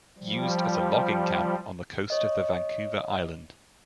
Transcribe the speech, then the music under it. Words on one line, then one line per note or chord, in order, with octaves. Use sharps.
Used as a logging camp on the coast of the Vancouver Island.
F3 G3
C#5 D#5